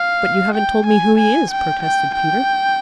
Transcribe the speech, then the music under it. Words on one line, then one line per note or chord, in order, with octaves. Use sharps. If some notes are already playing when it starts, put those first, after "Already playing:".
"But you haven't told me who he is," protested Peter.
Already playing: F5
G5
G#5
G#5
G5
G5
G5